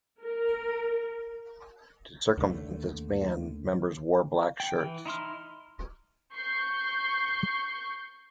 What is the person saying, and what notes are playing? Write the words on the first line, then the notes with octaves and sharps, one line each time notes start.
To circumvent this ban, members wore black shirts.
A#4
D#2 D3 G#3 A3
G5
E3
D#4 E4 C6 F6
C#6 G6 C7